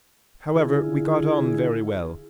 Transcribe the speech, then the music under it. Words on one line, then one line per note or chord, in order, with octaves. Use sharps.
However, we got on very well.
D3 E4 F4 G#4